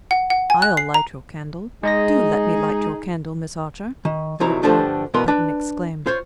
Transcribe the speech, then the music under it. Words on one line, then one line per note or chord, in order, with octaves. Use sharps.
"I'll light your candle; do let me light your candle, Miss Archer!" Lord Warburton exclaimed.
F#5
F#5
G#5
F#6
C7
A#5
G#3 D#4 G#4 D#5 A#6
D#3
C2 C3 D#3 F#3 E4 A#5
G2 D3 F3 A3 D4 G4
G2 B2 E3 B3 A#4 C6
D4 B4
F4 C5 C#5